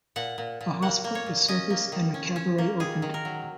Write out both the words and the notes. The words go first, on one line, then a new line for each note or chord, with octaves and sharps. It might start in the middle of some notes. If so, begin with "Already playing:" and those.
A hospital, a circus, and a cabaret opened.
A#2 F#5
A#2
A#2
A#3 F#5
A#3
C#5
A#2
C#4 D#5
A#3
D#3
C#4
C#4
A#3
D#3 G#4
D#3
A#4
F#3